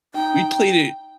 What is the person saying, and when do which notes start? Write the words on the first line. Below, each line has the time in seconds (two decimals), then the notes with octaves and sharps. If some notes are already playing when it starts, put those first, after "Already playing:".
We played it
0.14 D#4 G5